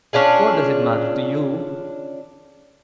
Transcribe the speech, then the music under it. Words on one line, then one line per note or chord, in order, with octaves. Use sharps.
"What does it matter to you?"
C#4 D4 F4 G#4